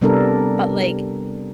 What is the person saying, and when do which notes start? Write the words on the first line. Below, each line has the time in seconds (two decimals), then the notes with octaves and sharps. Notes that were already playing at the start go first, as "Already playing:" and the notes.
But like
0.01 C3 G3 B3 D4 A4 A#4